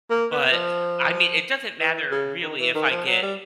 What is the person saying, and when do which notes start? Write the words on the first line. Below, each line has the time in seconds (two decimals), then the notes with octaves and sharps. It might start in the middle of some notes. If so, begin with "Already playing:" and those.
but I mean, it doesn't matter really if I get,
0.10 A#3
0.31 B3
0.52 F3
1.80 E3
2.11 C#3
2.43 D#3
2.59 E3
2.75 D#3
2.90 F3
3.07 F#3
3.22 G3